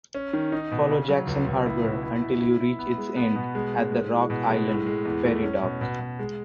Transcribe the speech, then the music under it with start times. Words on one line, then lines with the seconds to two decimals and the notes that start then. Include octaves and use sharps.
Follow Jackson Harbor until you reach its end at the Rock Island Ferry dock.
0.15 C#4
0.33 D#3
0.52 D#4
0.71 B2
0.90 C#3
1.09 F#3
1.27 C#2
1.47 C#2
1.66 E4
1.85 B2
2.03 E4
2.22 E4
2.41 E4
2.60 E4
2.79 B3
2.98 G#3
3.17 B3
3.35 B2
3.55 G#3
3.74 G#3
3.92 G#3
4.11 E3
4.30 B2
4.48 G#3
4.68 A2
4.86 G#3
5.05 E2
5.25 A3
5.43 C#4
5.62 B2
5.81 B2
6.00 B2
6.19 G#3